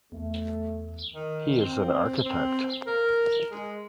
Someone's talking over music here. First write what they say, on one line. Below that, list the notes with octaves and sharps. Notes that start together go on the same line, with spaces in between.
He is an architect.
E2 A3
D#3
C4
C4
A#4
G#3